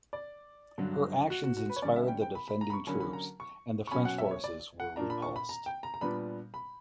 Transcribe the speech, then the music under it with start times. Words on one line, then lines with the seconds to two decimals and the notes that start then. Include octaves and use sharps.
Her actions inspired the defending troops and the French forces were repulsed.
0.13 D5
0.78 G2 D3 F#3
1.30 F#4
1.44 F#4
1.57 F#4
1.70 B4
1.76 C#5
1.82 D3 G3 C#4 D5
1.96 E5
2.08 G5
2.22 G5
2.35 B5
2.48 B5
2.61 A#5
2.70 B5
2.73 C#6
2.87 D3 F#3 A#3 C#4 B5
3.00 B5
3.13 A#5
3.40 C#6
3.87 C#6
3.91 B2 F#3 C#4 B5
4.05 F#5
4.18 E5
4.31 C#5
4.44 D5
4.80 F#5
4.96 A#2 A#3 D4 A#5
5.10 B5
5.22 C#6
5.36 B5
5.49 A#5
5.66 G5
5.83 A#5
5.94 A#5
6.01 A#2 G3 B3 D4 B5
6.54 B5